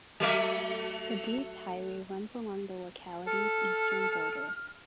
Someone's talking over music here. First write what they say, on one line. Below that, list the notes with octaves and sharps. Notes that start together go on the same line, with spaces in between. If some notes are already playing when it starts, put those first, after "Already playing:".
The Bruce Highway runs along the locality's eastern border.
F#3 A3 E5
A4 F6